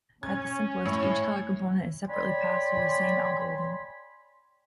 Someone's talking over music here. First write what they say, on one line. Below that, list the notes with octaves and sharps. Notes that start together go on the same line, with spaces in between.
At the simplest, each color component is separately passed through the same algorithm.
C#4 G#6
A2 C#5
C#5 D5 G5 G#5 B5 C6